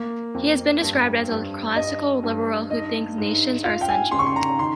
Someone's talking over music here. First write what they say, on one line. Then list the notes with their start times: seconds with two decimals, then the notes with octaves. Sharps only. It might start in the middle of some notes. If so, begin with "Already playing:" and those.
He has been described as "a classical liberal who thinks nations are essential".
Already playing: A#3
0.34 F2
0.81 G2
1.29 G2
1.75 G2 D#5
2.24 G2
2.70 D#4 D#5
3.18 G#2
3.64 F4 F5
3.81 G5
3.89 G#5
4.11 C#3 C6
4.19 C#6
4.26 C6
4.36 A#5
4.59 D#3 C6